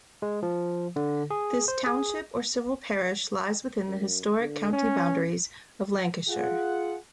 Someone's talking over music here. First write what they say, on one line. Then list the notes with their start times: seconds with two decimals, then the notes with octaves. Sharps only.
This township or civil parish lies within the historic county boundaries of Lancashire.
0.22 G#3
0.43 F3
0.96 D3
1.30 G#4
1.68 C5
1.86 G#4
3.87 F#2
4.39 D3
4.72 C#4
6.28 F4 G#4 F#5